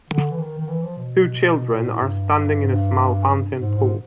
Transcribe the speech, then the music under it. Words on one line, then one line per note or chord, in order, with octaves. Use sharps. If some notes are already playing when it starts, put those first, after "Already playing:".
Two children are standing in a small fountain pool.
D3
E3
D#3
D#3
E3
F3
B2
A#2
A2
G2
G#2
G2
G#2
G#2